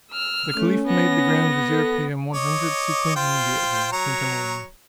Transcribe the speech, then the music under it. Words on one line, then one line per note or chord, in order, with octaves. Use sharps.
The caliph made the grand vizier pay him one hundred sequins immediately, and sent him away.
E6 F6
A3 C#4
B3 A#6
A4
C#5 D#5 D6
F4 C5 G5
F#3 C#5 A#5